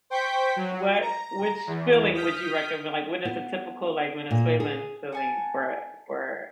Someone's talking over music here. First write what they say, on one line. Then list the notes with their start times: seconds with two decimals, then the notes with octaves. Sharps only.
What which filling would you recommend, like, what is a typical, like, Venezuelan filling for for
0.10 C5 G5 C#6 G6 B6
0.56 F#3
1.02 A#5
1.67 E2
2.14 D#6 F6 G6 B6
3.25 B3
4.31 A#2
4.60 G#4
5.13 F#5 G#5 A5